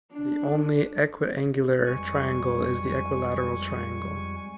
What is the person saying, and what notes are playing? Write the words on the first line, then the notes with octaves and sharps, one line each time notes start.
The only equiangular triangle is the equilateral triangle.
D4
F2 G3 G#3 G#5 C#6